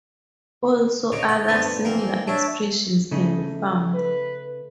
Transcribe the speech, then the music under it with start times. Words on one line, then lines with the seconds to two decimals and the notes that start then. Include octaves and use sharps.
Also other similar expressions can be found.
1.12 C#3 D#5
1.29 F#5
1.49 G2 B3 D4 C5
1.71 A#2
1.85 E3 F3 A#3 C4
2.27 D4 C#5 E5 A5
3.11 C#3 A3 D#4
3.94 B4